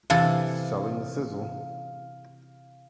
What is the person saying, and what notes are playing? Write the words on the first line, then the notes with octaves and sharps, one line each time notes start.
Selling the Sizzle!
C3 E3 A4 F5